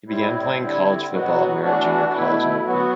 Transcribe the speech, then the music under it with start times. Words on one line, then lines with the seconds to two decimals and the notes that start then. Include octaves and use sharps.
He began playing college football at Merritt Junior College in Oakland.
0.08 A2 G3 C4 E4
0.60 D3 G3 C4 E4
1.11 B2 F#3 B3 F#4
1.63 E3 A3 D4 F#4
2.14 B2 A3 E4
2.66 F#3 B3 F#4